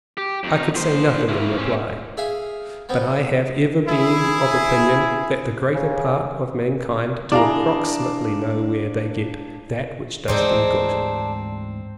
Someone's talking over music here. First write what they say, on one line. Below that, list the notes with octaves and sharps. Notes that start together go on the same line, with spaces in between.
I could say nothing in reply, but I have ever been of opinion that the greater part of mankind do approximately know where they get that which does them good.
G4
F2 D#4
A#2 C5
A#3 E4
C4 C#4
G#4 E5 F5
B3 C4
E4 G#4
C#3
D4 E4 G#4 D5 F5 A#5
D2 G#2 E3 C4 D4 D#4 G#4